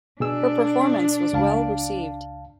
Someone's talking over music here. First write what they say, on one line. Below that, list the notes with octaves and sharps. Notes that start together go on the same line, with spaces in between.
Her performance was well received.
B2 D4 G#4 E6
C#2 F5 A5